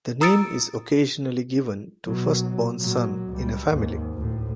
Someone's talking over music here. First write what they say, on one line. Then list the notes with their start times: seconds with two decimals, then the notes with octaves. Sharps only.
The name is occasionally given to the first-born son in a family.
0.21 A#5 D#6 E6 A6 C#7 D7
2.07 B2 F#3
2.80 A#2 F#3
3.29 C#2 G3
3.69 D#2 G#2
4.14 D2 A2